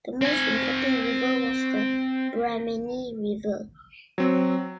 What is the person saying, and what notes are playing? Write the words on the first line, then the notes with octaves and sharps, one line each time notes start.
The most important river was the Brahmani River.
C4 G#5
F#3 C4